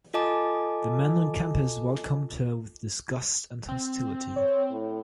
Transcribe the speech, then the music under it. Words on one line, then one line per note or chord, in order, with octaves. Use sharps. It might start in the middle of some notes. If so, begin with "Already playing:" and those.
The men on campus welcomed her with disgust and hostility.
F4 A4 D#5 G#5 A5 D6
C4
C#5
A2